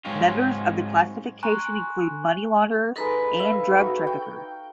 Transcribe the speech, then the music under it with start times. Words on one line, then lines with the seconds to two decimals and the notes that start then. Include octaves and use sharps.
Members of the classification include money launderers and drug traffickers.
0.05 G#2 F#3 G#3 C4 C#4 F4
1.43 G#5 A#5 C6 C#6 F#6
2.96 G#3 D#4 A4 B4 D#5 B5
3.39 E5 F5
3.78 D#4 F#4
4.07 G5